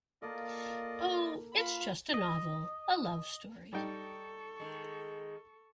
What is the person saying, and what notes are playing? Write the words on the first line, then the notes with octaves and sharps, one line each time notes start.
Oh, it's just a novel, a love story.
A#3 F4 A4 D5 D#5
F4 B5
D#5
G3 D#4 A4 G5 C#6
D#3 G#3